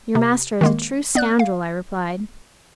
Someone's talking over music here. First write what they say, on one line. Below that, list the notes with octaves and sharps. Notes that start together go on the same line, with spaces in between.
'Your master is a true scoundrel!' I replied.
C3
D#3 G#3 A#3
B3 D5 F#6
F5